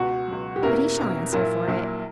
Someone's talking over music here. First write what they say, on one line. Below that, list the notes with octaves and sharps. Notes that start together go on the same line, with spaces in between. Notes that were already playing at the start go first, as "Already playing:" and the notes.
'But he shall answer for it.
Already playing: C#2 B2 F#4
C#2 B2 F#3
G4
E2 B2 A#3 C#4 E4 A#4
E2 B2 A#3 C#4 E4
A#1 A#2 F#3 A#3 E4 A#4
A#1 A#2 F#3 A#3 E4